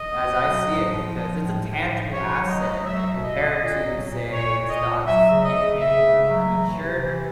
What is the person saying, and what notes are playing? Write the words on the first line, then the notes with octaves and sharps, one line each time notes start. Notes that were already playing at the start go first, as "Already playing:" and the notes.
as I see it, because it's a tangible asset and compared to, say, stocks is an intangible one, I mean, sure,
Already playing: D#5
B2
F#3
A2
F3
F3
A2
A2
F3
B2 C#5
F#3
D#5
F#3
F#3 E5
B2
D#5
B2
A#2
F#3
A#2
A#2 C#5
A#2
D#5
A#2
F#3 E5
C#3
D#5
C#3
C#3 E5
C#3
F#3
E3
C3
E3